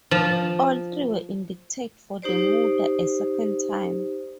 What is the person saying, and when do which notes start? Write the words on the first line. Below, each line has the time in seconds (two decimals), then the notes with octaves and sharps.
All three were indicted for the murder a second time.
0.11 F3
2.22 D#4 G4 C5 D5